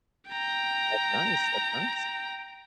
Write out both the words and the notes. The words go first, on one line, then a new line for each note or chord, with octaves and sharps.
That's nice, that's nice.
G5 A#5